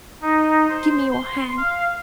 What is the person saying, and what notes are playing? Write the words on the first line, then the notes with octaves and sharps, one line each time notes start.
Give me your hand.
D#4
C5
C6
F5